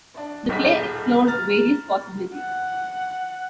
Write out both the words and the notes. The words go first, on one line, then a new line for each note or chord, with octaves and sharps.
The play explores various possibilities.
D4
D#1 B1 G2 G#4 B6
A#5 F6 A6
F#5